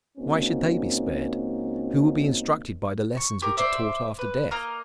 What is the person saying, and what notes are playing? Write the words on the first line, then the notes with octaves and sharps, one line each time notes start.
Why should they be spared? Who will be instructed by the lessons which are taught after death?
C#2 A#3 C4 C#4 D#4 F#4
C#6
G4 A#4
C5 D5 E5
B4
A#3 D#5 A#5 F6